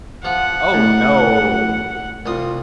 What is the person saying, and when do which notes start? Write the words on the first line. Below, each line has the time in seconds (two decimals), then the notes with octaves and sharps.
Oh, no.
0.25 F3 F#5
0.73 A2
2.26 C2 F4 D#6